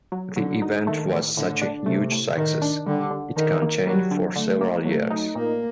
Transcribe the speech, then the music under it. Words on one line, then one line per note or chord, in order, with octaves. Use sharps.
The event was such a huge success, it continued for several years.
F#3
D3 F#3
D#4
D#3 A3
A2
A2 D3
D4
C3 A3
A2
A2 D#3
D4
D3 G3
D3
D3 D#3
A#3
F#3 G3
D3
D3 A3
A#3
F#3 A3
D#4
A#2 A#3